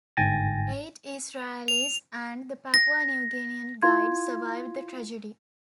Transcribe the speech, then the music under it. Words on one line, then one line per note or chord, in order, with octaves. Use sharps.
Eight Israelis and the Papua New Guinean guide survived the tragedy.
G1 G#2 G5 G#5 A6 A#6
F7
A#6
E4 F4 F5 C6 G#6